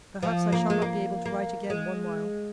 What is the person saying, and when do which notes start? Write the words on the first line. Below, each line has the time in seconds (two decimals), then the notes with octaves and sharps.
Perhaps I shall not be able to write again one while.
0.23 F3
0.53 A#3
0.70 G#3
0.82 A#3
1.26 A#3
1.70 G#3